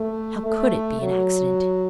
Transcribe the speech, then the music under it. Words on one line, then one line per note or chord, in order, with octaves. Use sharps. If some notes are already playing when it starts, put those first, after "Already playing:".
How could it be an accident?
Already playing: A3
A3
F#3